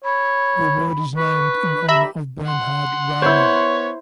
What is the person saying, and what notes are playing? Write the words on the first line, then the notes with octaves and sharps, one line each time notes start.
The award is named in honor of Bernhard Riemann.
C#5 B5
B4 C#6
G4 E5 A#5 B5
F#5 C6
B3 E4 C5 C#5